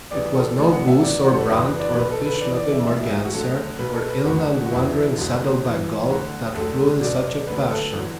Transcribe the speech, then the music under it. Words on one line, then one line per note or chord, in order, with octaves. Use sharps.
It was no goose, or brant, or fish-loving merganser, or inland wandering saddleback gull that flew in such a fashion.
A1 A2 E3 D5
A4
A1 A2 F#3 D5
F#5
E5
E2 B2 F#3 D5
F#4
A4
B4
F#1 E2 D3 F#3 D5
B4
D5
B1 B2 F#3 B4
A4
B4
E2 E3 D5
D5
E5
A1 A2 F#3 E5
E5
F#4
D2 D3 F#3 A4
B1 B2 F#3 B4
A4
B4
E1 D2 D3 F#3 F#4
F#4
E1 E2 B2 F#3 E4
E1 D2 D3 F#3
E2 E3
D2 D3 F#3 F#4
E1 D2 D3 F#3 A4
B1 B2 F#3 D5
D2 D3 F#3 B4
A4
E2 D3 F#3